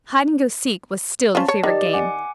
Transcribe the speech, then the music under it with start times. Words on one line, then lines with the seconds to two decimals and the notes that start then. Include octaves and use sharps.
Hide-and-go-seek was still the favorite game.
1.35 F3 C#4 A5
1.48 C#5
1.63 D#3 G4 D5 D#5
1.93 F#5 G#5 D6